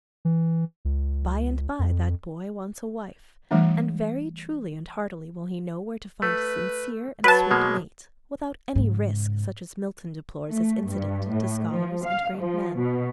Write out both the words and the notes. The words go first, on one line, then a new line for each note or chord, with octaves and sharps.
By and by that boy wants a wife, and very truly and heartily will he know where to find a sincere and sweet mate, without any risk such as Milton deplores as incident to scholars and great men.
E3
C#2
F2
E3 G3 A3 D4
A3 B4
F#3 B4 A5
B2 G#3 A#3
G#2 C#3
A3
G2
A2
F3
F5
F3
B2